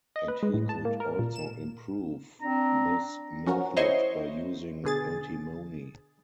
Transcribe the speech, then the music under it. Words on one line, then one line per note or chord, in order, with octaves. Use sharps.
And he could also improve this method by using antimony.
D#5
B4
G#3
A2
A5
A#3
A#4
A#2
E7
C4 D4 A#5
F3 C#4 F#4 A#4
E4 C5 C#5 D#5 C6 C#6
B2 D3 G#4 A6